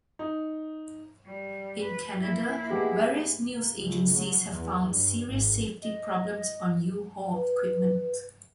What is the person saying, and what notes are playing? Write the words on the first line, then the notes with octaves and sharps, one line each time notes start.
In Canada, various news agencies have found serious safety problems on U-Haul equipment.
D#4
G3
B4
A#3 E4
G#3 B3 G4
A#3
C#2
F#3
E2
G2
G#1
D#5
B4